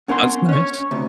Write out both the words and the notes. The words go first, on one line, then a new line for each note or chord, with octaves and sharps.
That's nice.
B3 C#4 A#4 F#5 C6
C#4 C#5
D2 C3